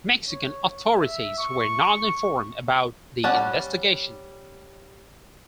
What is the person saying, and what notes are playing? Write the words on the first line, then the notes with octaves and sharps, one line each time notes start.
Mexican authorities were not informed about the investigation.
C#5
E5
C#6
G3 C#4 F#5 A5